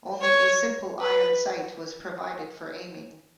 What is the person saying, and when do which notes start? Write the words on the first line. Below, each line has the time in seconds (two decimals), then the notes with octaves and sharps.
Only a simple iron sight was provided for aiming.
0.22 C#5
1.00 B4